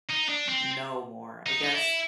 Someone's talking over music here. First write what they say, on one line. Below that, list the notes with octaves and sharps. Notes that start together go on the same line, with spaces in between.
know more? I guess,
D#4
D4
C4
D#4
D#4
E4